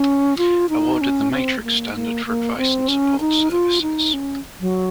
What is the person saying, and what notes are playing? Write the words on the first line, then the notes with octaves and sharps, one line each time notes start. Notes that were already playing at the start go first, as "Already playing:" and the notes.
Awarded the Matrix Standard for advice and support services.
Already playing: C#4
F4
D#4
C#4
C4
A3
A#3
A#3
A#3
C4
C#4
D#4
F4
D#4
C#4
F#3